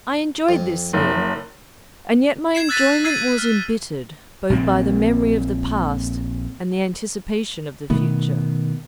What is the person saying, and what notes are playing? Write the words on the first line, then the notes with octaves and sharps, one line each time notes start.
I enjoyed this scene, and yet my enjoyment was embittered both by the memory of the past and the anticipation of the future.
F2
F#1
G#6 C7 E7
E6 F#6 A6 B6 D#7
E6 G#6 A6 C7 D#7
F6
A#1 A#2 F3 C4
B2 D#3 A3 B3